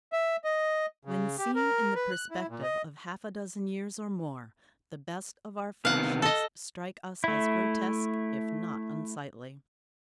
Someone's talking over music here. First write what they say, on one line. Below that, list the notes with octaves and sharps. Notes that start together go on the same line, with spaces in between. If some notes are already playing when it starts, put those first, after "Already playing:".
When seen in the perspective of half-a-dozen years or more, the best of our fashions strike us as grotesque, if not unsightly.
E5
D#5
C#3
G4
A#4
B4
F#6
E4
A#2
D#5
C3 D#3 B3 F5 F#5
A4 D#5
A3 E4